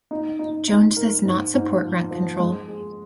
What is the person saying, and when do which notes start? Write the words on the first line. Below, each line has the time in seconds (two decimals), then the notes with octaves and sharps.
Jones does not support rent control.
0.11 D#4
0.39 D#4
0.68 D#4
0.97 A#4
1.25 G#2
1.54 G#2
1.83 F3
2.11 F3
2.39 G#3
2.68 G#4